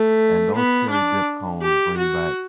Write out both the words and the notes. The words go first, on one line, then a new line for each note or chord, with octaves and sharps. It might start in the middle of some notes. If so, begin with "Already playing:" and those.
And those cherry-dip cones bring back
Already playing: A3
B3
D4
G4
F#4